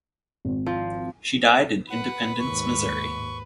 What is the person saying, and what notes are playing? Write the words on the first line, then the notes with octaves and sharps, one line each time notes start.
She died in Independence, Missouri.
G#1
F3
B4 F#5
D#2 G#2 C#6